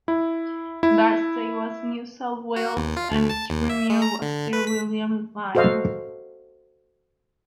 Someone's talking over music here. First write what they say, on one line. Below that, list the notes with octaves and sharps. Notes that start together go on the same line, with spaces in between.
That state was New South Wales, and its premier was Sir William Lyne.
E4
E4
F#4
D#2
F4
D2
A5
D#2
E5
G#3
A#5
D3
B4
B6
F#4 A4 C5 D#5 F5